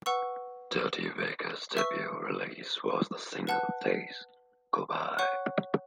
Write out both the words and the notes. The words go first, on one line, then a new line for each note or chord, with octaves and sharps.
Dirty Vegas' debut release was the single Days Go By.
B4 F#5 C#6 E6
B4 E5 C#6 E6
B4 F#5 A5 F#6
C#5 F#5 C#6 F#6